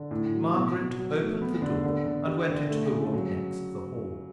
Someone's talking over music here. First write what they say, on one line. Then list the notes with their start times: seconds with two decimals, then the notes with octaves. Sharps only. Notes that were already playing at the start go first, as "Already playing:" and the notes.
Margaret opened the door, and went into the room next the hall.
Already playing: D3
0.11 A2
0.33 F#3
0.54 B2
0.76 B2
0.98 F#3
1.19 A3
1.41 B3
1.62 D3
1.84 D3
2.06 D3
2.27 G4
2.49 D3
2.70 A3
2.92 C#3
3.13 F#3